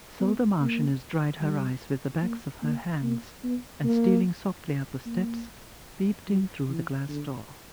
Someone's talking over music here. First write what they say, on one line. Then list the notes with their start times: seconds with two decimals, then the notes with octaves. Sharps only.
So the Marchioness dried her eyes with the backs of her hands, and, stealing softly up the steps, peeped in through the glass door.
0.20 B3
0.60 A#3
1.40 G3
2.22 A#3
2.62 A#3
3.03 A#3
3.44 B3
3.84 A#3
5.06 A#3
6.27 F#3
6.69 E3
7.09 D3